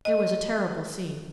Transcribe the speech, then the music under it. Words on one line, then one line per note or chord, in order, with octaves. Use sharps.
There was a terrible scene.
D#5